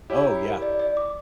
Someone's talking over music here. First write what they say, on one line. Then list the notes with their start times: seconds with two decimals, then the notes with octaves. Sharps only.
Oh, yeah.
0.10 E4 G4 C#5
0.27 A#5
0.45 A#4
0.62 D5
0.80 D5
0.97 D6